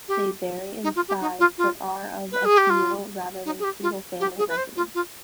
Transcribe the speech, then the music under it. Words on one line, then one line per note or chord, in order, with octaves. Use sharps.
They vary in size but are of a communal rather than single-family residence.
G4
D#4
F4
G4
D#4
F4
F4
B4
G#4
G4
F4
D#4
G#4
G4
F4
G4
G#4
B4
C5
F4
F4